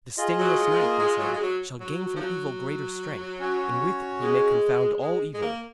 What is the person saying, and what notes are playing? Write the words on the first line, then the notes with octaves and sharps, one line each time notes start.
'The stainless knight,' they said, 'shall gain from evil greater strength, and with it he may confound all evil.'
F4 G#4 D#5
F#3
G#3
G#3
A#3
G#3
F#3
G#3
F#3
F#3
F3
F#3
C#4 F#4 C#5
G#3
G#3
G#3
A#3